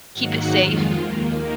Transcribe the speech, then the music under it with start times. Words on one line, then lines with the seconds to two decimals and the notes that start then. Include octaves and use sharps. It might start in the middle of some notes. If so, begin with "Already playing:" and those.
keep it safe.
0.13 G#2 D#3 F#3 A#3 F#4
0.56 F2 D#3 G#3 F4
0.99 D#2 D#3 A#3